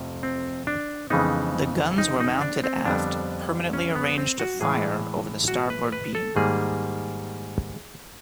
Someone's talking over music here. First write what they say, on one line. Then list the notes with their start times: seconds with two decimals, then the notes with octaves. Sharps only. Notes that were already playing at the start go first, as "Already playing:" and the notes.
The guns were mounted aft, permanently arranged to fire over the starboard beam.
Already playing: F2 C3 F3 A3
0.23 C4
0.67 D4
1.10 F2 C#3 E3 G#3 B3 D#4
1.98 D#4
2.20 D#4
2.41 D4
2.64 C4
2.85 F2 D3 G3 B3 D4
3.73 C#4
3.95 B3
4.18 C4
4.40 F#4
4.61 A2 E3 G#3 G#4
5.48 F#4
5.70 B4
5.92 B4
6.15 A4
6.36 G#2 D#3 G3 A#3 G#4